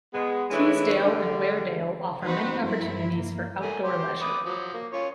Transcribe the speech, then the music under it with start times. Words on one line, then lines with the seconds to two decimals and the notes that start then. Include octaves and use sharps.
Teesdale and Weardale offer many opportunities for outdoor leisure.
0.14 G#3 B3
0.50 E3 G#3 A3 C#4 D4 E4
1.04 D3 G3
2.23 C4 D#4 F#4 B4 C5
2.63 G2 F3 A3 E4
3.07 A#3
3.62 A3 A#4 G#5
3.84 G4 C5
4.21 B4 D6 D#6
4.45 F3 F#3
4.74 A#3
4.93 C#4 F4 C#5